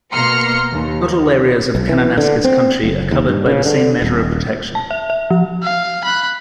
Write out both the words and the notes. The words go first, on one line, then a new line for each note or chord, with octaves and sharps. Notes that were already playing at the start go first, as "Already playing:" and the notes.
Not all areas of Kananaskis Country are covered by the same measure of protection.
B2 A#3 A#5 C6 F6 C#7
D#2
B1
E3
D3
C4
F#1
D#2
G2
C#3
D3
D#1
A5
E5
E5
F3
F5
B5 F#6